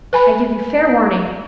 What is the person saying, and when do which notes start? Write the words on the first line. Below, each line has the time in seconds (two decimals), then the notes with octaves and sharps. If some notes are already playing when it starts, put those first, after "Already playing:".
I give you fair warning.
0.13 B4 G#5 B5